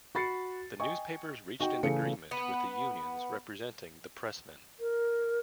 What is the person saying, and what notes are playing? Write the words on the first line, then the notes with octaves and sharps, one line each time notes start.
The newspapers reached an agreement with the unions representing the pressmen.
F#4 B5 A6 C7 C#7
D#5 G5 G#5 C#6
D#4 F#4 F#5 G5
C#3 E3 A3 G#4 A4 C#7
B3
A#4